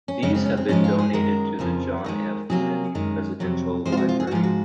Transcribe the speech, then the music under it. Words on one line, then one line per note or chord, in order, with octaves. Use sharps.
These have been donated to the John F. Kennedy Presidential Library.
C#4
F#2 C#3 G#3 C#4
C4
C#4
C4
G#2 F3 G#3 C#4
F4
G#4
F#2 D#3 G#3 A#4
F2 C#3 F3
D#2 D#3 G#3
C3 F#3 A#3 G#4
F#2 D#3 G#3
F2 C3 F#3
C3 F3 G#3 C5
F4
F#4
F4
G#4
F#4
G#2 F3 G#3 F4
F#4